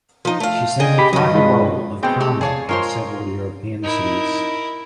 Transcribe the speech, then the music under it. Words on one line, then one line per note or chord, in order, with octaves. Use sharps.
She sang the title role of "Carmen" in several European cities.
F3 D#4
A3 F5
D3 G#4 D#5 G5
G4 B5
G2 F#3 D#5
G#3 F4 B4
B2 G#3 B3 C4 G5
A3 G4
G#4 C#5 F5 G#5 A5
G#3 F4 A#4 C5 C#5 G#5
D#4 E4 A#4